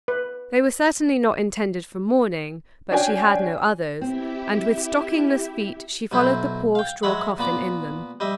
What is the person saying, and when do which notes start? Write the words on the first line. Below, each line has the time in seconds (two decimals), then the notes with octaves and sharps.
They were certainly not intended for mourning, but she had no others, and with stockingless feet she followed the poor straw coffin in them.
0.08 B4
2.91 C#4 D4 F#4 G5 G#5
4.01 C4 E4 G4 E5
6.12 B1 F#3 E4 C5
6.75 F5 G5
7.03 F#3 G#3 C#5 E5 F#5 B5
7.38 A#2 B3 B5 D6
8.20 G3 D#5 E5